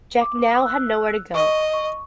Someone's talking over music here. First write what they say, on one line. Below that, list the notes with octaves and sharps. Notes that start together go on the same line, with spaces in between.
Jack now had nowhere to go.
D6
E6 F#6
D#5 C#6
C#6